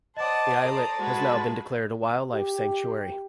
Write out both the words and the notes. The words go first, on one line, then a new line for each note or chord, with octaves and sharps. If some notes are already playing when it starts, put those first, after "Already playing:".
The islet has now been declared a wildlife sanctuary.
C5 D5 D#5 F#5 A5 D6 D#6
A4 A5 A#5
G#3 F#4 B4
G4